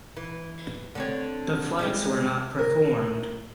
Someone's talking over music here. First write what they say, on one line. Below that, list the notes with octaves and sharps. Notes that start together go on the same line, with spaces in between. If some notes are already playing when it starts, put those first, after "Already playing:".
The flights were not performed.
E3
D3 C4 C#5
G3 G#3 C4
A#4